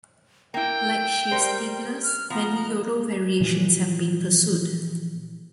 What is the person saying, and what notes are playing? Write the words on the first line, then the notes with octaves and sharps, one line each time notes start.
Like Schiefspieglers, many Yolo variations have been pursued.
A#3 E4 G5
G3 A#4 C5
F6
F3 B3 A#5
A#2 E3 F3